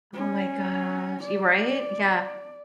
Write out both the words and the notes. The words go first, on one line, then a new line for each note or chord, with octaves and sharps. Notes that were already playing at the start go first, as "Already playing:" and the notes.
Oh my gosh y right? Yeah.
C#4
D5